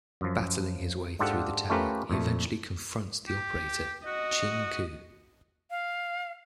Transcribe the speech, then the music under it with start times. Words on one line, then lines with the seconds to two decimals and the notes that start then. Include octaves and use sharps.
Battling his way through the tower he eventually confronts the operator, Chin Ku.
0.21 F#2 F3
1.19 G#2 D4 F4 G4 A4 F#5
1.70 A3 C#4 F4 G4 A#4 B4
2.10 F2 A#2 A3
3.27 G4
4.06 F#4 D#5
5.70 F5